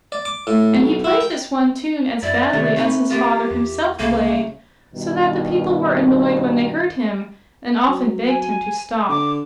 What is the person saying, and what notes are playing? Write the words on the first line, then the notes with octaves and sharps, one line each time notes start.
And he played this one tune as badly as his father himself played, so that the people were annoyed when they heard him, and often begged him to stop.
D5
D6
A2
B1
E4
G5
F#2 E4 D5
C3 D#3 A3 C#5
C4 C#4 D#4 B4
E3 A#3 F4 G4
E2
C2 C#3 A3 A#3
G2 B2 D#3
F#3
G#5
D3 D6